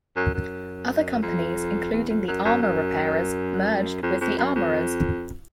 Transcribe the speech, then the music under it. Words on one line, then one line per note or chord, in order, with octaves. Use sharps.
Other Companies, including the Armour Repairers, merged with the Armourers.
F#2
F#2
F2
E2
F2
F#2
F#2
F#2
F2
F2
F#2
F2